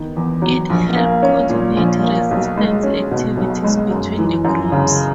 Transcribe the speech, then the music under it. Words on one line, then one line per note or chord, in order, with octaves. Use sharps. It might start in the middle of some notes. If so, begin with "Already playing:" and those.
It help coordinate resistance activities between the groups.
Already playing: D#3 B3
E2
F#3
A#1
A#3
C#4
A#2
A#1
A#3
B1
G#3
C#4
B2
B1
G#3
F#2
E3
F#2
C#3